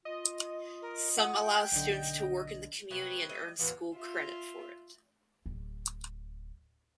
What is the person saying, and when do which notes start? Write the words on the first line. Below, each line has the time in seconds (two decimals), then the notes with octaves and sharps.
Some allow students to work in the community and earn school credit for it.
0.05 F4 D#5
0.82 A#4
1.17 F#5 D#6
1.42 G5
1.72 B1 D3 D#5
2.91 C3 F3 G3 B4 C#5 D#6
3.29 G3 D#5 E5
3.59 D#2 A2 E3 B3 F4 F#4 D6
3.95 F4 E5
5.46 D1